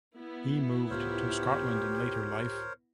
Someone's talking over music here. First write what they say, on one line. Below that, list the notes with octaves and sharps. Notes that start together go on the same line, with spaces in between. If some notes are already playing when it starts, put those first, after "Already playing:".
He moved to Scotland in later life.
B3 E4
C#2 A2 F4 G4 A#4 C5 C#5